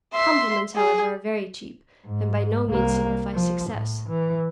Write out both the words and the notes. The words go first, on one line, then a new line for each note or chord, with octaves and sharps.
Compliments, however, are very cheap, and by no means signify success.
E5 C6
G#4
G#2
C2 A#3
F3
A2
E3